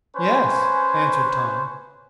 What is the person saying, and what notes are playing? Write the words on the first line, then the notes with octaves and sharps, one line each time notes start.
"Yes," answered Tom.
C#4 B4 C5 G#5